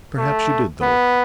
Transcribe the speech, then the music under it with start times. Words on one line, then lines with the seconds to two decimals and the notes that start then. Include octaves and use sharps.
Perhaps you did, though.'
0.18 A3
0.82 B3